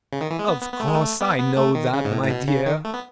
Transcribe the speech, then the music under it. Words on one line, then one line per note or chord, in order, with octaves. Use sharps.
'Of course I know that, my dear.
C#3
D#3
E3
G#3
B3
B3
B3
A3
G#3
A3
B3
B3
A3
D#3
C#3
G#2
A2
A2
B2
C#3
D#3
A3
B3